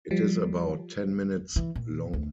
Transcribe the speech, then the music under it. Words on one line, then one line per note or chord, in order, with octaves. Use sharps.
It is about ten minutes long.
F3 G3
E3
A#2
D2